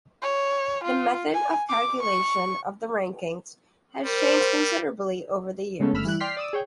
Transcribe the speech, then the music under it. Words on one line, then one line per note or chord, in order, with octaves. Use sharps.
The method of calculation of the rankings has changed considerably over the years.
C#5
F4
G#5
D6
C#6
G3 A#4 C5
C#3 G#3 A3 B3 C#4 A4
G1 D3 A3 B5 E6 F6
E3 G3 E4 F#6
D5 G5 C6 F6 B6 C7
D5 D#6 E6
G#4 C#5 G5